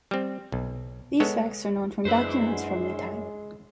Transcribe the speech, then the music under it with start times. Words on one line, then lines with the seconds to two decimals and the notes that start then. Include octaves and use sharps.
These facts are known from documents from the time.
0.11 G3 C4
0.52 B1
1.20 G#3 B3 A4 C#5
2.05 F#2 G#3 D4 E4 B4 C5 C6